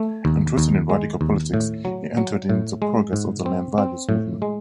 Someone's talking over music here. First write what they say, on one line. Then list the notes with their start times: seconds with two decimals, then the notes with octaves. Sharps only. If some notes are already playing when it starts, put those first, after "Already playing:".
Interested in radical politics he entered in the progress of the Land Values Movement.
Already playing: A3
0.25 D#2
0.58 D#2
0.90 G#3
1.21 D#2
1.54 A2
1.85 F#3
2.17 F#3
2.49 A2
2.82 G#3
3.13 G#2
3.46 C4
3.78 C4
4.09 A2
4.42 G#3